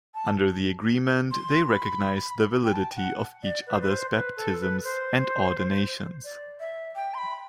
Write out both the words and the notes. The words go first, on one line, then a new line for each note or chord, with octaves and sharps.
Under the agreement, they recognize the validity of each other's baptisms and ordinations.
A5
C6
B5
G5
A5
F#5
D5
B4
C5
B4
C5
B4
A4
B4
C5
D5
E5
G5
C6
B5